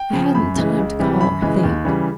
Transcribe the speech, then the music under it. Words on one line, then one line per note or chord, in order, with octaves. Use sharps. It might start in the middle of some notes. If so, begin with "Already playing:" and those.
I hadn't time to call or think.
Already playing: G5
C#3 F3
F#2 B5
C#3 E3 G#3
C#2
C3 E3 G3
F#2 B5
C#3 E3 G#3
D#2
C#3 E3 G3